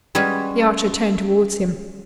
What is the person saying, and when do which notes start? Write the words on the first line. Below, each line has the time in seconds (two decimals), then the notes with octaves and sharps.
The archer turned towards him.
0.15 G3 G#3 C#4 F#4 B4